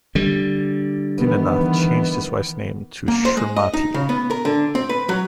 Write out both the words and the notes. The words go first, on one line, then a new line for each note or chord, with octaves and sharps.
Dinanath changed his wife's name to 'Shrimati'.
D3 G3
D#3 E3 B3
A#3
C5
G#3
D#5
D#4
C#3
B3
A#4
D3
C4
B4
F#3